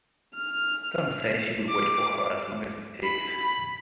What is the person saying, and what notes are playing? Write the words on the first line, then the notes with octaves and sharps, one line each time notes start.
Tom says he will wait for her as long as it takes.
F6
D6
B5